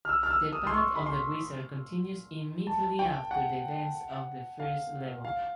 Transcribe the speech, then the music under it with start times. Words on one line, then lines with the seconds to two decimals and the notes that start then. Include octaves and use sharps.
The Path of the Wizard continues immediately after the events of the first level.
0.05 F6
0.09 E6
0.23 F6
0.30 E6
0.53 D#6
0.67 C6
0.74 C#6
0.96 B5
1.06 C6
2.67 A5
2.99 G5
3.31 F#5
4.60 F5
5.25 F5